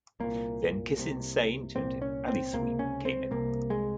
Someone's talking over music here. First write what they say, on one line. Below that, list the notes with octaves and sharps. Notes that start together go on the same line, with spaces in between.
Then Kissin Saint and Alysweep came in.
C2 A#2 A#3
C2 C3
C2 A#2 C4
C#4
C4
C#2 C3 A#3
C#4
C4
C2 C3 A#3
G#3